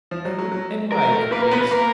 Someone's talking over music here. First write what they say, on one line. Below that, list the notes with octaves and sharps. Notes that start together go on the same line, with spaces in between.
"Oh, and why, if you please?"
F3
F#3
F#3
F#3
G#3 A#4
A3
A#3 B4
A#4
B3 B4
B4
A#3 A#4